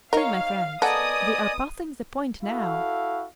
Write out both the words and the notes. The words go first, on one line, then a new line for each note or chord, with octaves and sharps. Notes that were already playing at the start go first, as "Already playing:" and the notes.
See, my friends, we are passing the point now!
D#4 A#4 C#5 F5
B3 A4 A#4 D5 D#5 F#5 G#5 D#6
E4 F#4 A4 F5